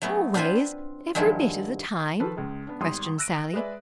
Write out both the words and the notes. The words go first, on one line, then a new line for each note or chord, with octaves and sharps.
"Always, every bit of the time?" questioned Sallie.
F#3 A3 B3 C#4
C4 D4 F4 B4 C5 G#5
G2 D#3 F3 F#3 G#3 E4
D#3 F3 A4 B4
C#2 G#3
B3 D4
G#1 G3 C6 D#6
E6 F#6 A#6 D7 D#7
G#3 G#4 B4 D5 E5